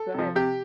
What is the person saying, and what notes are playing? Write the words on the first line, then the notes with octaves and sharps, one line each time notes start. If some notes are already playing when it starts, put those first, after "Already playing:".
Go ahead.
Already playing: A4
C3 F3
C3 G4